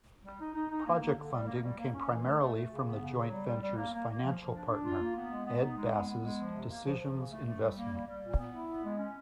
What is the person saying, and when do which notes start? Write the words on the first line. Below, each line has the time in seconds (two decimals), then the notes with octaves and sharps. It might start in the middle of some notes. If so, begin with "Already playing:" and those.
Project funding came primarily from the joint venture's financial partner, Ed Bass's Decisions Investment.
0.24 G3
0.40 D#4
0.54 D#4
0.70 D#4
0.86 A#3
1.01 A#3
1.16 D3
1.32 G3
1.47 A#3
1.62 G3
1.78 A#3
1.93 C#4
2.09 E3
2.24 A3
2.39 A3
2.54 A3
2.70 C#3
2.85 B3
3.00 C#3
3.16 F#3
3.31 G3
3.47 G3
3.61 G3
3.76 A#3
3.93 A#3
4.08 A#3
4.24 F3
4.38 F3
4.54 D4
4.70 D4
4.84 F4
5.00 A#3
5.15 B3
5.31 G#3
5.46 B3
5.61 D#4
5.77 G#3
5.92 B3
6.08 B3
6.23 G#3
6.38 F3
6.53 C3
6.69 A#3
6.85 F3
6.99 F3
7.15 C#3
7.30 A3
7.46 A3
7.61 G3
7.76 A#3
7.92 G3
8.06 G3
8.22 A#2
8.38 B3
8.53 E4
8.69 B3
8.84 G#3
8.99 C#4